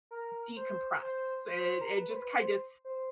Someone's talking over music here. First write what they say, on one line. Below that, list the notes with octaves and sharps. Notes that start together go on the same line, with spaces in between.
decompress. It it just kind of, s
A#4
C5
C5
C5
A#4
B4
C5
B4
C5
C5